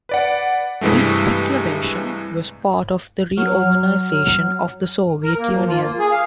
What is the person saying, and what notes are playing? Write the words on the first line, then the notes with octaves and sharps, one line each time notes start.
This declaration was part of the reorganization of the Soviet Union.
B4 D5 F#5
G2 C3 E3 G#3 A3
F#3 F6
A#4
A#3
F3
F4
A#3
G#4
F5